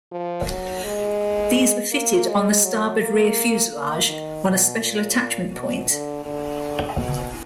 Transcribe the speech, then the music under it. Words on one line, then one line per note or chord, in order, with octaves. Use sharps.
These were fitted on the starboard rear fuselage on a special attachment point.
F3
F#3
G#3
A#3
G#3
F#3
A#3
A#3
D#3
B2
A#2
B2
D3
D3
B2